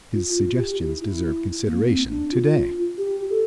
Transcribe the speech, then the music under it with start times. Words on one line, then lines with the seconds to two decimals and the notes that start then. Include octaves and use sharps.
His suggestions deserve consideration to-day.
0.13 F4
0.35 F4
0.57 G4
0.79 E4
1.01 E4
1.67 A#3
1.88 C4
2.10 D4
2.32 F4
2.98 G4
3.30 A4